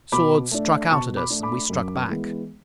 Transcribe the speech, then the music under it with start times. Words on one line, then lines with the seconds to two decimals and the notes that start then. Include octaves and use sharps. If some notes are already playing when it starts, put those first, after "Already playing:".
Swords struck out at us, and we struck back.
0.12 B2 B5 D6
0.52 A3 D4
0.91 B2 A5 C#6
1.17 B5 D6
1.30 A3 D4
1.43 B5 D6
1.70 F#2
2.08 E3 G#3 B3